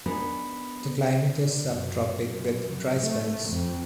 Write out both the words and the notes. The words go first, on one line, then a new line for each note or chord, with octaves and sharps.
The climate is sub-tropic with dry spells.
B3 D4 D#4 G#4 A#4
D3
F#2
F#2
A3
F2